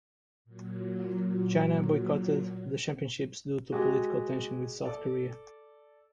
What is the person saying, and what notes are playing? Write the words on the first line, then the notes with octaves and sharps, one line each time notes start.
China boycotted the championships due to political tension with South Korea.
A#2 F#3
G#3 F#4 G4
A4 D5